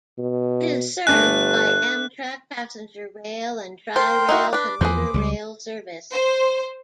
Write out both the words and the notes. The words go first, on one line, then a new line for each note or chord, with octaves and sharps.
It is served by Amtrak passenger rail and Tri-Rail commuter rail service.
B2
G1 A3 D4 G#5 F#6
A#4 C5 G5 C6
D#4 E4 F#4
D4 B4 D6
E2 E3 F3 G#4 B4 C5
C#2 F#3 G3
C5